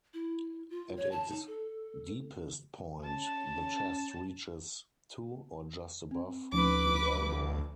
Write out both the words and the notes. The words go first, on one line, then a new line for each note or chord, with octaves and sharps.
At its deepest point the chest reaches to, or just above, the elbow.
E4
F4
C#5
A5
D#4
A4
C#4 A5
C4
D2 F3 C#4 D#4 B4 D6